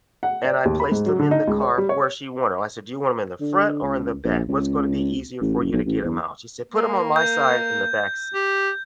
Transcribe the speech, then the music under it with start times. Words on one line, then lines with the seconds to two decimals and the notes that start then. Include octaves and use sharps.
and I placed 'em in the car where she wanted, I said do you want 'em in the front or in the back, what's gonna be easier for you to get 'em out, she said put 'em on my side in the back seat,
0.23 F#5
0.45 D5
0.65 D#2
0.80 B5
0.92 G#2
1.06 F#3
1.19 D3
1.31 D#4
1.48 C#2
1.61 C#5
1.78 G3
1.89 C#5
3.41 D3
3.83 C#2
4.24 A#1
4.49 C#2
5.41 A1
5.60 F#1
5.72 B1
5.86 A1
6.04 E2
6.72 A#3
7.16 G6
8.34 G4